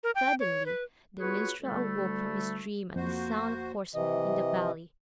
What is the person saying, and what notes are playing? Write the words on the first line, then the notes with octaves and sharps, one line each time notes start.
Suddenly the minstrel awoke from his dream at the sound of horsemen in the valley.
A#4
G5
C#5
B4
B3 F4 F#4 G#4 B4 C#5
D2 D3 G3 A3
F2 A#3 F#4 C5
C3 E3 D#5